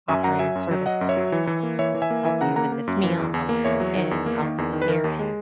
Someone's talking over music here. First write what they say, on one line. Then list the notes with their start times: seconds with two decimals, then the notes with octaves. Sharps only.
offering services- like, I'll I'll help you with this meal, I'll watch your kid, I'll run an errand,
0.08 F#2 E5 G#5
0.23 F#2 F#5 A#5
0.39 F#3 E5 G#5
0.55 F#2
0.71 F#3
0.86 F#3 D#5 F#5
1.01 F#2
1.09 C#5 E5
1.17 F#3
1.32 E3
1.47 E3
1.63 A#3
1.79 E3 C#5 E5
1.95 E3
2.02 E5 G#5
2.11 A#3
2.25 E3 E5 G#5
2.41 C#3 F#5 A#5
2.56 A#3 F#5 A#5
2.72 A#3
2.88 F#2
3.03 E3
3.18 E2
3.34 E2
3.49 A#3
3.64 E2 C#5 E5
3.80 F#3
3.96 D#3
4.11 E2
4.26 A#3
4.43 D#3
4.58 E2
4.73 D#3
4.82 B4
4.89 D#3 A#4
5.04 D#2
5.19 G#3